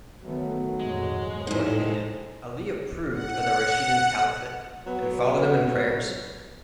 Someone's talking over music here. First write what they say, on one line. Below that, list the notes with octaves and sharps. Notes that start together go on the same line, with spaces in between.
According to him Ali approved of the Rashidun Caliphate and followed them in prayers.
D#3 F#3 A3 B3
G#1 F2 A#2 G#3
A2 F#3 D#4 C5
F#5
F#3 B3 B4 C#5